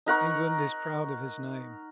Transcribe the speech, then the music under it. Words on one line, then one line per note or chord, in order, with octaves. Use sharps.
England is proud of his name.
D#4 A#4 F#5 C#6